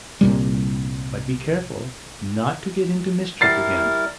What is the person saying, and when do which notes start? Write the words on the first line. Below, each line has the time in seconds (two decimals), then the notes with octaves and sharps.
"But be careful not to get into mischief again."
0.21 C2 A#2 G3
3.41 G3 E4 A#4 A6 C7